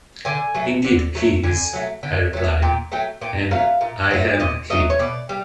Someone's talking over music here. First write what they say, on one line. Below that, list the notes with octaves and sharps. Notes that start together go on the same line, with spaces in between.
'Indeed he is,' I replied, 'and I am he.
D3 G#5
F#3 A3
D3
F#3 A3
D3 G#5
F#3 A3
D3
F#3 A3
A#2 G5
F#3 A3 G5
A#2 G5
F#3 A3 F5
A#2
F#3 A3
A#2 D#5
F#3 A3 D#5
C#5
B2 D5
G3